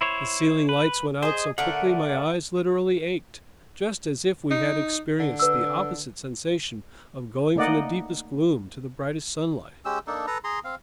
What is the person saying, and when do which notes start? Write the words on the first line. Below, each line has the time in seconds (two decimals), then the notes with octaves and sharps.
The ceiling lights went out so quickly, my eyes literally ached, just as if we had experienced the opposite sensation of going from the deepest gloom to the brightest sunlight.
0.01 E4 C5 C#5
0.69 B4
1.23 G#4 C5 D#5
1.58 D3 A3 A#4 F#5
4.51 D#4
5.20 D3
5.40 B4 E6
7.56 A3 A#3 D#4 D5 D#5 F#5
9.85 G#3 C#4 G4 E6
10.07 A#3 D4 D#4 A4
10.27 A4 B4 A#5
10.44 G#4 A#5 C6
10.64 C4 F5